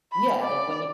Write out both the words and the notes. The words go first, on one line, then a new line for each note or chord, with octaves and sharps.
yeah, like when you
B5
D5